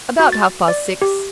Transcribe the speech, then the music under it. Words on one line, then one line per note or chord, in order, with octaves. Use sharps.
"About half-past six."
F#4
A6
D5
G4